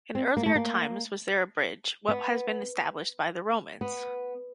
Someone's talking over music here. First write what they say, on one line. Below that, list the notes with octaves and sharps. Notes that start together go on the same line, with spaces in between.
In earlier times was there a bridge, what has been established by the Romans.
C4
A#3
A3
A#3
B3
B3